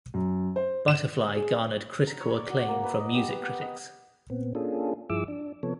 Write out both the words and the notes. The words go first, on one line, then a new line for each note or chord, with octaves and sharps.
"Butterfly" garnered critical acclaim from music critics.
F#2
C5
E7
G#4
A#5
C#5
D5
F#4
A#3
B4
D#5
G4
B3
D#5
A#2 B3 C4
A#3 C#4 D4 F4 G#4 A4
G2 F3 E4 G#4 D6 E6
D4
C3 F3 B3 A4 C#5